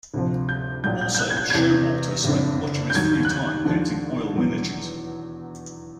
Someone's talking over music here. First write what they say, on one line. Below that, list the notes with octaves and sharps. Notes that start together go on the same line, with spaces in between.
Also, Showalter spent much of his free time painting oil miniatures.
D2 C3 F3
G6
A#1 A#2 F#3 G6
G6
G6
F#6
G#6
G6
G#6
E2 C3 E3 G6
F#1 F2 D3
G6
D#2 D#3 F#3 G#6
F#6
G6
D#2 D3 F3
E2 B2 F#3